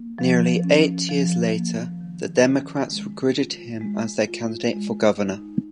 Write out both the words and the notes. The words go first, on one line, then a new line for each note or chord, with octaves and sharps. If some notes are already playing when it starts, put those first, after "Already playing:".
Nearly eight years later the Democrats recruited him as their candidate for Governor.
Already playing: A#3
F3
C#4
F3
A#3
D#3
C#4
G#3
F4
G#3
F4
G#3
D#4